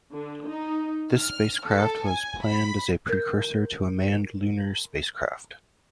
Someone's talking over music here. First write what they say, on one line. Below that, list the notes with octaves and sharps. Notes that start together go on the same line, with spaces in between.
This spacecraft was planned as a precursor to a manned lunar spacecraft.
D3
D#4
F6
A4
G#5
B5
A#4 G6